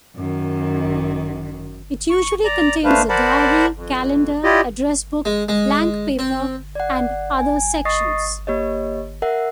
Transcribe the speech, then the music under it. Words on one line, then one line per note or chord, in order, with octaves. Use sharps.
It usually contains a diary, calendar, address book, blank paper, and other sections.
F#2 D#3
C#6
D5 A#5
A3 D4 B4 C5 F5
A#4 C5 D5 F#5 A5 B5
F2
E4 F4 G4 D5 D#5
G#3
G#3
C4
D5 F#5
G#5
D#5 C#6 D#6 A6 A#6 C7
A#3 G4 C#5 D#5
A#4 E5 F#5